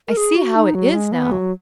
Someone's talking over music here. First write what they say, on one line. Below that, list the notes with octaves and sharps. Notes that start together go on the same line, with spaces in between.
I see how it is now.
A#4
G#4
F#4
D#4
F#3
G#3
B3
F#3